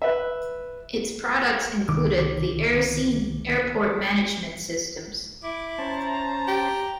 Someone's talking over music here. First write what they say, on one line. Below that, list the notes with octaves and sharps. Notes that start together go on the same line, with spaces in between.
Its products included the 'AirScene' Airport Management systems.
B4 E5
C2 D#3 D6
E4 D6
C#4 C5 A5 A#5
G4